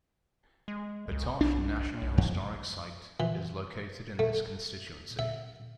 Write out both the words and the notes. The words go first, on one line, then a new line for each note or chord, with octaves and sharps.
Batoche National Historic Site is located in this constituency.
G#3
C#2
B1 D4
B1
F2
E3
A3
E5